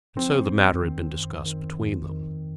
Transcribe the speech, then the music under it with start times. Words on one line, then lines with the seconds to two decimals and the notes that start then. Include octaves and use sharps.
And so the matter had been discussed between them.
0.16 F3 C4
0.49 F#2
0.81 D#3
1.13 F#2
1.45 D#3
1.79 F2
2.11 D#3